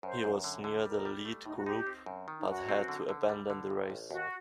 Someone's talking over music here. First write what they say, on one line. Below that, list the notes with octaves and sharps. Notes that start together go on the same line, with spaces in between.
He was near the lead group but had to abandon the race.
F#2 C5
F#2
D3
D3
G3 A#4
G3
A3
A2 D#4
F#4
D#4 G4
C4
F#2
D#3
D#4
F#2 F#4
C4
D3
D3
G3
D3
G2
A1
D#2 F#4